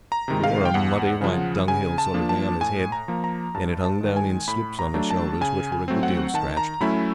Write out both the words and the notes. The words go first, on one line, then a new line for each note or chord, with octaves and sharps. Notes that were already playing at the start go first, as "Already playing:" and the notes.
He wore a muddy-white dunghill sort of thing on his head, and it hung down in slips on his shoulders, which were a good deal scratched.
A#5
C3 D#3 G#3
F5
G5
E2 F#5
C#3 F3
C#3 G#5
A5
F3 A#3 D4
A5
A2 G#5
A#5
F3 A#3
A#5
G2 A5
A5
D#3 G#3
G#5
A2 B5
A#5
F#3 A3 D4
A5
C#3 G#5
G#5
F#3 A3 C4
F#5
D#3 A5
A#5
F#3 A3 C#4 E4 B5